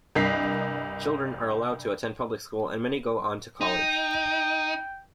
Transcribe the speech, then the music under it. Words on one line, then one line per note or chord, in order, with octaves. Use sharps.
Children are allowed to attend public school and many go on to college.
C2 G2 A#4 D#5 B6 C7
D#4 G5